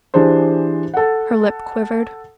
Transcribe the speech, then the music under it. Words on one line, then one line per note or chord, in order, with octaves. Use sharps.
Her lip quivered.
E3 D4 G4 G#4 C5
A4 F#5